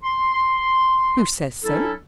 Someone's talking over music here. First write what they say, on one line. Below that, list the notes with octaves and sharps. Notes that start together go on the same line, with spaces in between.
"Who says so?"
C6
F#3 C#4 D4 E4 A4